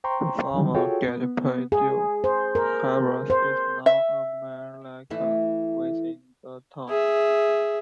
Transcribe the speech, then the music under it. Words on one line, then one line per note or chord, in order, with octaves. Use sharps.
The former "Great Pityus" harbour is now a mere lake within the town.
C5 G5 A#5 C6 C#6
D3 D#3 F#3 G3
F4 F#4 G#4 A4 C#5 G5
B3
B3
G#4
C5
A#4
C5
E5
E3 A3 E4
G#4 E5